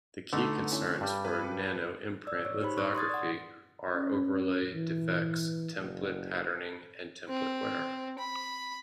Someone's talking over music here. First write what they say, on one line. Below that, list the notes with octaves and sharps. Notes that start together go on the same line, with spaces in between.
The key concerns for nanoimprint lithography are overlay, defects, template patterning and template wear.
D3 A3 B3 D#4
C#4 E4
G2 G3
B4
D5 E6
C#5
D#4 G4 C5 C#5 B5
C#6 F#6
C6 D#6 G#6 A6
D5 F#5
C#4
E3
F#1
C4
B5